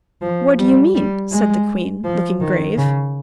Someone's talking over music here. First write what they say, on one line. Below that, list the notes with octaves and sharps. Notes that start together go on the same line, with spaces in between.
"What do you mean?" said the queen, looking grave.
F3
G3
G3
G#3
F3
D#3
C#3